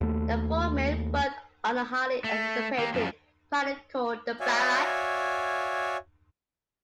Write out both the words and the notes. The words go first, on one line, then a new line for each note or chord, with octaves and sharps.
The four men worked on the highly anticipated Pilot called The Barracks.
D#2 A3
A3
A#3 G4
F#2 F3
F#4 C#5 D5 E5 F5 G#5